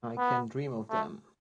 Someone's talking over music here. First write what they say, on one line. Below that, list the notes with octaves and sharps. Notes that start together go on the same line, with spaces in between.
I can dream of them.
B3
A3